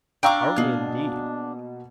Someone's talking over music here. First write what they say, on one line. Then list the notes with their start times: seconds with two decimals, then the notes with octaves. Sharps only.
"Are we, indeed?"
0.23 D4 F5 G5 A#5 C#6 D6 E6
0.56 B2 A#3 G#4 F6